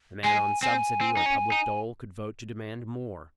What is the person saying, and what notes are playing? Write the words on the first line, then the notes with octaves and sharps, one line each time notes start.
The man on subsidy or public dole could vote to demand more.
G#3 G#5
C4 G#5
C4
D#4
C#4
D#4